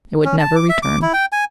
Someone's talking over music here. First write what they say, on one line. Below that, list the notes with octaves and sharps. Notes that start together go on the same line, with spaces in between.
It would never return.
C#4
A5
D6
E5
D6
E4
G5
G#5